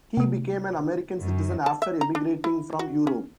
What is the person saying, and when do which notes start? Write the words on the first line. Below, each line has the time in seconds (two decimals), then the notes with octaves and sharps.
He became an American citizen after emigrating from Europe.
0.17 C3 A3
1.21 F#2
1.66 A5
1.82 E5
2.01 A#5
2.15 D4
2.44 E4
2.79 F#4
3.07 C#4